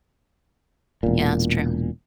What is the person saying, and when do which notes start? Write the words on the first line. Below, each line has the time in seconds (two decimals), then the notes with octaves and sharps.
Yeah, that's true.
1.03 E1 A#2